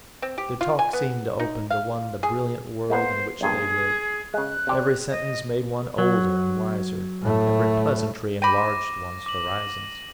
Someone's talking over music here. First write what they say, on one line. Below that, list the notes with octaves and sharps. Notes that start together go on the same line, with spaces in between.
Their talk seemed to open to one the brilliant world in which they lived; every sentence made one older and wiser, every pleasantry enlarged one's horizon.
C4
G4
F4
G#5
B3
D#4
F5
G#4
G#3 A#3 B3 C5
B1 G2 A#2 G#4
C#3 G#3 F#6
C3 G4 D5
D#5
F#3
A2 A3
G5 B5 D6 A#6 D#7
D6 F#7